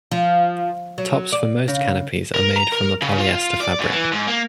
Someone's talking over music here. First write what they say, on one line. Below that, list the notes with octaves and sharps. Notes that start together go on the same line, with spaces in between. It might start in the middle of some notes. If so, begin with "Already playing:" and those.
Tops for most canopies are made from a polyester fabric.
F3
F#3
D5
C#3
A#4
A#5
A#4
C#3
F4
D5
F#2
E3
G#2
A#3